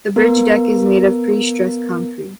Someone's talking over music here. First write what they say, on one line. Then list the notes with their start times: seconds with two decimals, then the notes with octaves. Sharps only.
The bridge deck is made of pre-stressed concrete.
0.16 B3 A#4